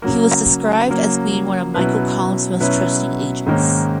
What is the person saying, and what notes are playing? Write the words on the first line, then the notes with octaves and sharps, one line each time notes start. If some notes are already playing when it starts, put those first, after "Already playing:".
He was described as being one of Michael Collins’ most trusted agents.
C#3 F#3 A#3
C#3 F#3 A#3
B2 F#3 C#4 E4 B4
B2 F#3 C#4 E4 B4
G#2 D#3 A#3 C#4